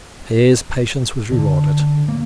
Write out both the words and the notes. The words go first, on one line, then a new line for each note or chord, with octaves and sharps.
His patience was rewarded.
D3
A#3